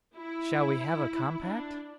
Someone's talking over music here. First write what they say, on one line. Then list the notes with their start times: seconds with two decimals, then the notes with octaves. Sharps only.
Shall we have a compact?
0.16 E4
1.43 D4